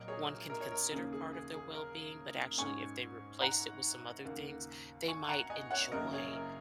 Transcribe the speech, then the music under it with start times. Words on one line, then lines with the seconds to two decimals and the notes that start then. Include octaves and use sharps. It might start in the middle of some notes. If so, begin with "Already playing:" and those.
one can consider part of their well-being? But, actually, if they replace it with some other things, they might enjoy
Already playing: A#1 A#2 F#3 A#4 D#5
0.08 G#4 C#5
0.50 A#4
0.60 C#5
0.72 A#4
0.91 D#2 C#3 A#3 C#4 G#4
1.13 G#4
1.33 G#4
1.54 G#4
1.75 A#4
2.58 G#2 G#3 C#4 G#5 C#6
3.41 F#5 A#5
4.25 D#2 C#3 A#3
5.08 G#5 C#6
5.29 F#5 A#5
5.50 D#5 G#5
5.71 C#5 F#5
5.92 F#1 F#2 C#3 A#3 A#4 D#5
6.13 G#4 C#5
6.34 A#4